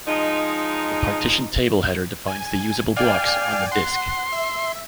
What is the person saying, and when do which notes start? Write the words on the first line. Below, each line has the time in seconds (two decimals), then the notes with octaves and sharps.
The partition table header defines the usable blocks on the disk.
0.07 F3 G#3 D#4
2.28 G#5
2.97 D5 F5 G5 G#5
3.72 F#5 C6
4.32 E5